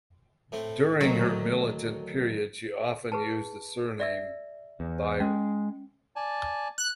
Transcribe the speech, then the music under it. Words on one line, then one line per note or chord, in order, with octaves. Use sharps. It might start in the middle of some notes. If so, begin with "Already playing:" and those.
During her militant period she often used the surname "Byron".
A2 A3 C4
D2 D3 D#3 F#3
G#4 B4 A5
D5 E5 E6
E2
G#3 C#4
D5 G#5 A5
F#6